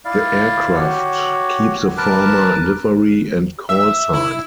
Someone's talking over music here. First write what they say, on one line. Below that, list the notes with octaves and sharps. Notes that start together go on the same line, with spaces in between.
The aircraft keep the former livery and call sign.
E4 D5 F5
F#4 G4 C#5
A#4 B4 A5 D6
E5
E4